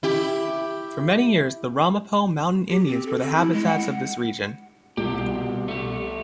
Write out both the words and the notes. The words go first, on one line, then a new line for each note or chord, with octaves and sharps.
For many years the Ramapough Mountain Indians were the habitats of this region.
E4 G4
G4
C4
A4
C4
E4
G#3
F#5
C2 B2 G4
A3 G4